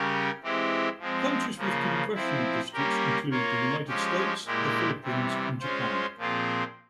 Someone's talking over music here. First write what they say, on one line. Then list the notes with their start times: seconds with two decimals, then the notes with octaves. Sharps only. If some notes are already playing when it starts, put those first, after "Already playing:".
Countries with congressional districts include the United States, the Philippines, and Japan.
Already playing: C#3 G3 C#4 G4 A#4
0.43 E3 G#3 C4 E4 G4
1.00 F3 G#3 C4
1.58 C#3 F3 A#3
2.14 F3 C4 E4
2.73 G3 A#3 C#4 G4 A#4
3.30 A#3 F4 A#4 C#5
3.87 F3 G#3 C#4 G4
4.45 A#2 G#3 E4 G4
5.03 C3 E3 G3
5.60 G#3 C#4 F4 C5
6.17 A#2 F3 C4 F4 G#4